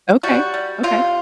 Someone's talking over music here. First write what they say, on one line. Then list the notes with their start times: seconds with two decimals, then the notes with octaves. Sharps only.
Okay, okay.
0.23 G3 F#4
0.54 G3
0.83 C3 F4